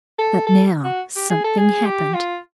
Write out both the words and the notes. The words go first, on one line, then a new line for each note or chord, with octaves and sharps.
But now something happened.
A4
A4
F#4
G4
G#4
A4
G#4
G4
F4